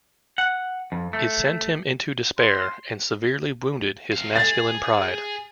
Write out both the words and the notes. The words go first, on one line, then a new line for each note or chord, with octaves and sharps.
It sent him into despair and severely wounded his masculine pride.
F#5
F2
A3
C6
C3 F5
G#4 A6